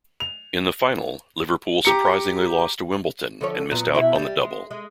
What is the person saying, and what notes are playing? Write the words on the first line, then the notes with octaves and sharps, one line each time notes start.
In the final, Liverpool surprisingly lost to Wimbledon and missed out on the "double".
F7
G4 A#5 C#7
D3 F3 C#5
A#2 F#3 B3
B2 E4 F#4
G3
G#3
G#3